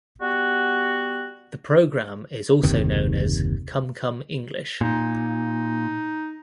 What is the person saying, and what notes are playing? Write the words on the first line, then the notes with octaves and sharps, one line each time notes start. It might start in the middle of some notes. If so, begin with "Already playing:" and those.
The program is also known as "Come Come English".
G3 B3 F#4
F#1 D#2 C3 D#3
A#2 D#4